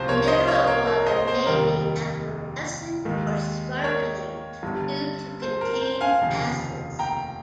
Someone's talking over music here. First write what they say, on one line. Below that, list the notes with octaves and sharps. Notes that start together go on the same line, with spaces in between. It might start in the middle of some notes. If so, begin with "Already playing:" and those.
Mineral water may be effervescent or "sparkling" due to contained gases.
Already playing: C2 C3 F3 C5
A#4 C#5
C5 D#5
C#5 F5
A#4 C#5
A#4 C#5
C5 D#5
C5
F1 D#2 D#3 G3 A#4
D#2 D#3 G#3
A#4 C#5
G1 G2 G3
C5
A#4
C5
F5 G#5
F1 D#2 C#3 F3
G5 A#5